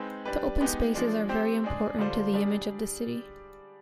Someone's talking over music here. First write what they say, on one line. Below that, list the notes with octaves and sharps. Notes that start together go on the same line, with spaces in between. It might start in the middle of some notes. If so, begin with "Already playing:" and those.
The open spaces are very important to the image of the city.
Already playing: G#3 C4 D#4 B4
G3 D4 G4 B4
G#3 B3 D#4 G4
F3 G#3 D4
C4 G4 C5
G#3 D4 G#4
D3 G3 D4 F4 C5
G3 D4 G#4 D5